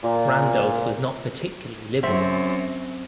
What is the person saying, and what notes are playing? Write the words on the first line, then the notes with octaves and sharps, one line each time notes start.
Randolph was not particularly liberal.
A#2
F#2 C4 E5